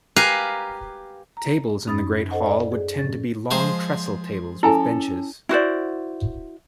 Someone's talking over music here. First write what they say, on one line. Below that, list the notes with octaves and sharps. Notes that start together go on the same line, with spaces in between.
Tables in the great hall would tend to be long trestle tables with benches.
G4 A#4 B4 F5 G#5
A#5
F#2 C#4 D#4 B5 D#6 A6
A4 C5 D#5 F#5
D5
G#4
A2 F3 C#4 A6
F3 G#3 C5
C#4 E4 A4 G#5 A#5
E4 F#4 C5 D5